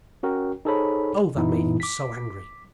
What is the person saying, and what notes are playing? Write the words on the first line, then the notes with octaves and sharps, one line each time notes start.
Oh, that made him so angry!
C#4 F#4 A#4 G5
D#4 G#4 A4 C5 C#5 B5
F#2 A#2 E3 B3 D#4 E4
D6 B6